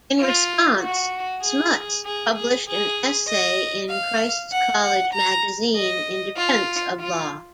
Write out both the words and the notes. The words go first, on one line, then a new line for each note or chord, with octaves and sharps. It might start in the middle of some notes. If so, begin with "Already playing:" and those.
In response Smuts published an essay in Christ's College Magazine in defence of Law.
F4
F#4
G#4
G#4
G#4
G#4
D#5
F5
F#5
F#5
A#5
D#5
F4
F4